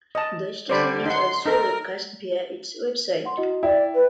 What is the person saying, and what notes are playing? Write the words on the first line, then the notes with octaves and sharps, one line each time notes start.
The station is also webcast via its website.
D#5 A5
D3 G3 C5 D5 B5
D#4 F#5 C6
D#4 A4 A#4
F#5 C6
E4 F#4 D#5
E4 D5 G5
B4